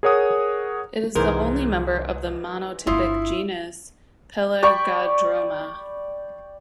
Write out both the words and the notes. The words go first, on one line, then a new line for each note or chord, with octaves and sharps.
It is the only member of the monotypic genus Pelagodroma.
G#4 A#4 C#5 F#5 D#6
C2 G#2 E3 G#4 A#4 C5
G1 D4 E4 F4 C6 D#6
D5 G5 B5 C#6